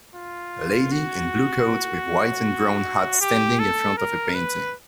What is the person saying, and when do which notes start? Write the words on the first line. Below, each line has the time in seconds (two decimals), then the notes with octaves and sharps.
Lady in blue coat with white and brown hat standing in front of a painting.
0.16 F4
0.92 F#4
3.21 G4
3.59 A4
3.97 A#4
4.35 B4